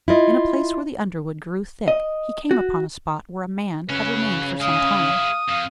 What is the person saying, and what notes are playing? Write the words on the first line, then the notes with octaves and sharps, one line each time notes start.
In a place where the underwood grew thick, he came upon a spot where a man had remained for some time.
E4 F4 D#5
D#5
F#4
C#3 F#3 C#4 B4
G#3 E4 F5 D#6
F2 F5